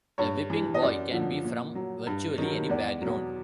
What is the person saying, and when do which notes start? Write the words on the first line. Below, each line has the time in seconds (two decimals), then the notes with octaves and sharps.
The whipping boy can be from virtually any background.
0.18 G2 C#5
0.50 E3
0.74 D#5
0.82 F#2 D5
1.12 D3 F3
1.44 A#2
1.75 F#3
2.07 G2
2.38 D#3 F#3
2.69 E2 D5
3.01 B2 F#3